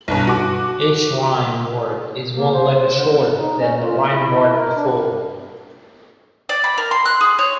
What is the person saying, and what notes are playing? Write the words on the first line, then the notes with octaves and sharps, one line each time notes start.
Each rhyme word is one letter shorter than the rhyme word before.
B1 G2 B2
F#4 D6
A#3
C5
D3
D#4
C#4
F4
E4
A#4
D4
C3
G2
D5
B5
A#4
C6
F#6
G#4
C#5